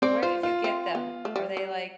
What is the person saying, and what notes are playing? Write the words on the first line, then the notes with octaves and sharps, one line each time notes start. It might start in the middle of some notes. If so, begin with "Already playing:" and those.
Where did you get them? Are they, like,
C4 D5
F4 C5
F4
C4
B3
A3
G3
G3